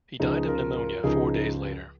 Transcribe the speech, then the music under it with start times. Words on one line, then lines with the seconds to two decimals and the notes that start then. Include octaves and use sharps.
He died of pneumonia four days later.
0.20 C#2 C#3 F3 D#4 G#4
0.48 F4 A#4
0.75 F4 A#4
1.04 C#2 C#3 F3 D#4 G#4